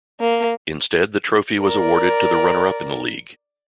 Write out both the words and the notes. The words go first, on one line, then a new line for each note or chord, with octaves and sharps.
Instead the trophy was awarded to the runner-up in the League.
A#3
A#4 D5